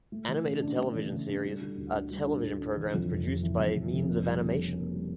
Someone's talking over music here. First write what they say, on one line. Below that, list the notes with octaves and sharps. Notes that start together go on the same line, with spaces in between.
Animated television series are television programs produced by means of animation.
A3
E3
C#3
D4
A3
E3
C#3
D4
G3
D3
D2
D4
G3
D3
D2
D4
E3
F2
F1
F1
E3
F2
F1
F1
A#3
G3
C#3
C#4
A#3
G3